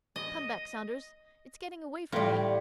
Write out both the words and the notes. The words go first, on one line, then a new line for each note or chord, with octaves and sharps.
Come back, Saunders, it's getting away from me.
D#5
A2 G3 F4